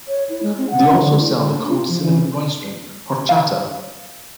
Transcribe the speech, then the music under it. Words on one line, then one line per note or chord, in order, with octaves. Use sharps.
They also sell the cold cinnamon rice drink horchata.
C#5
E4
G#3
C4
F#5
D3
E4
D3
D4
F4
F3
E3
F5